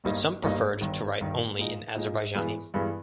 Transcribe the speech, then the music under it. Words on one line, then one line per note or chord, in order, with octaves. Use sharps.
But some preferred to write only in Azerbaijani.
G1 G2 G3 A#3 D#4
G1 G2 G3 A#3 D#4
G1 G2 D#3
G1 G2 D#3
A#2 G#3 D#4
A#2 G#3 D#4
G2 E3 G#3 B3
G2 E3 G#3 B3